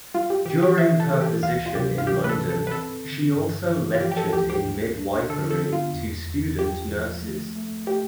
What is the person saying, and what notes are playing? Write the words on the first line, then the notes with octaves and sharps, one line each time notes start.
During her position in London she also lectured in midwifery to student nurses.
G3 F4
G4
E3 G4
G4
E3 E5
A4
G3 A4
G4
D2 F4
F4
C3 G4
F4
E3 G4
B4
A4
A2
A4
B4
C4 A4
D3
G2
E3
F4
F3 G4
G4
A4
D2 G4
G4
A2
D4
D3 A4
A4
B3
F4
E2
E2
F4 G4
F3
A3
A3
A3 G4